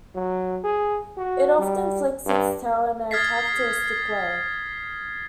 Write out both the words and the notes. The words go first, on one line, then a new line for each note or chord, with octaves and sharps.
It often flicks its tail in a characteristic way.
F#3
G#4
F#4
G3
G2
D#6 F6 G#6 A6 B6 C7